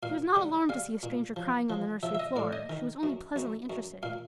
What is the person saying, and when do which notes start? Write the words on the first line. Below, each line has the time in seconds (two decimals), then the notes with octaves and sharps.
She was not alarmed to see a stranger crying on the nursery floor; she was only pleasantly interested.
0.03 A#2 F5
0.36 G3 F#5
0.69 G3 F5
1.03 A#2
1.36 F3
1.70 F3
2.03 F3 E5
2.15 E5
2.20 D#5
2.36 A2 D5
2.53 D#5
2.70 D#3
3.03 F#2
3.36 F#2
3.70 F#2
4.03 A#2 F5